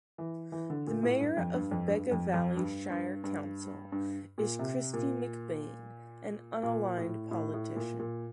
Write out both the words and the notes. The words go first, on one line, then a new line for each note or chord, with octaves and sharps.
The Mayor of Bega Valley Shire Council is Kristy McBain, an unaligned politician.
E3
E3
D3
A#2
A2
G2
F2
G2
F2
G2
F2
F2
G2
G2
G2
G2
A#2
C3
A#2
A#2
A2
A2
A2
A#2
A#2